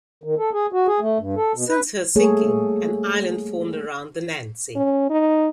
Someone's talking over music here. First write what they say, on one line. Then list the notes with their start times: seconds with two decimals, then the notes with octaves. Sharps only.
Since her sinking, an island formed around the "Nancy".
0.24 D#3
0.38 A4
0.53 G#4
0.73 F#4
0.87 G#4
1.00 A3
1.19 G2
1.36 A4
1.54 B2
1.69 B4
2.15 G3 A3 A#3 G#4 A4 C#5
4.76 C#4
5.10 D#4